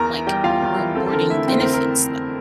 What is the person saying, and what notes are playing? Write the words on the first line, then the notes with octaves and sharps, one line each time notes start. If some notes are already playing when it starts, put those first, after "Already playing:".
like, rewarding benefits though.
Already playing: E2 A#4 A#5
E3
G3 G4 G5
E2 F4 F5
E2
E3
C4 A4
A4
D3 A#4
A3 E4 E5
F2 C4 C5
C4 A#4
A#4